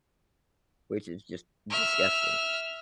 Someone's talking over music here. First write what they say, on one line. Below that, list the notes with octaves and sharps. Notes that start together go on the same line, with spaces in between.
Which is just, disgusting.
E5 F6